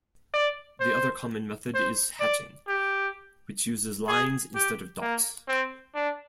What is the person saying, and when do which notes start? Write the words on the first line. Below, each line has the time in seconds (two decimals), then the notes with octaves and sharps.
The other common method is hatching, which uses lines instead of dots.
0.34 D5
0.80 C5
1.75 C5
2.20 D5
2.68 G4
4.09 G#4
4.55 G4
5.01 A#3
5.48 C4
5.95 D4